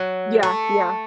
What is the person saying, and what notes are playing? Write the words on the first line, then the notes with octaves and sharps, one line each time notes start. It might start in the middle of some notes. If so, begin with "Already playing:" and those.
Yeah, yeah.
Already playing: F#3
A3